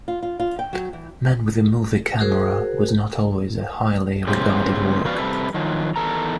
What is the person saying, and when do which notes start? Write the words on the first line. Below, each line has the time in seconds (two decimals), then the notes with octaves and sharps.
"Man with a Movie Camera" was not always a highly regarded work.
0.08 F4
0.23 F4
0.40 F4
0.59 G5
0.73 F#3
0.93 E3
2.19 F#4 G#4 A#4 C5
4.27 C#3 G#3 B3 E4 G4 C5
5.05 F3 B3 F#4 B4 D5 F5
5.18 C3 G3 A4 B4
5.54 D#3 F3 F#3
5.96 E2 D#3 A4 A#5